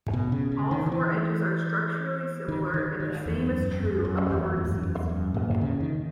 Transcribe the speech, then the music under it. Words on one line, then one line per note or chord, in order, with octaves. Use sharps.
All four edges are structurally similar and the same is true of the vertices.
B2
C#3
C#3
D#3
D#3
E3
D#3
D#3
D#3
E2
F#2
F#2
F#2
F#2
E2
F#2
G#2
F#2
E2
F#2
A#2
C#3
D#3